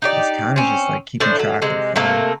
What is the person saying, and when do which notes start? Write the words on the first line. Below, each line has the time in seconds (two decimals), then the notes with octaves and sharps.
is kinda just, like, keeping track of, uh,
0.02 D#4 G4 D5
0.56 C4 C#4
1.20 A2 E3 D4 C5
1.39 F#3
1.62 C3 G#3
1.96 C3 A3 A#3